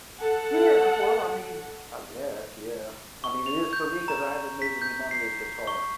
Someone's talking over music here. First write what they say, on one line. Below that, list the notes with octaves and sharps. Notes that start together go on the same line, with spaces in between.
Yeah. Well, I mean, I guess, yeah. I mean, it is for me 'cause I haven't made any money at guitar.
A4 F#5
C#6
F7
G6
A#5
B6
G6
C7
C#6